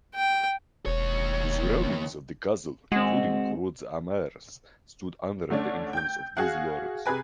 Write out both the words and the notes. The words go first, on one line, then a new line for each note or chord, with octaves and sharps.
The surroundings of the castle, including Groot-Ammers, stood under the influence of these lords.
G5
E1 D#2 C#5
G#3 C4 F#4
D3 A3 C#4 D4
G5 G6
F#4 G#4 F5 F#5
C3 G#4 B4 G#5